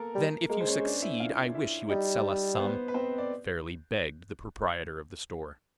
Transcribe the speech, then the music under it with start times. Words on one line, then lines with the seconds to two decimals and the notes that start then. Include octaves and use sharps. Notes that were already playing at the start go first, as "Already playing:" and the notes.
"Then if you succeed I wish you would sell us some," fairly begged the proprietor of the store.
Already playing: A#3 B3 A4 A#4
0.15 G3
0.50 G#3 A#3 A#4
0.61 C5
0.67 C#4 C#5
0.85 D4 D5
1.02 E4 E5
1.20 F4 F5
1.54 E4 E5
1.89 G3 D#4 D#5
2.55 C5
2.60 B3 B4
2.88 B4
2.94 C4 C5
3.18 D5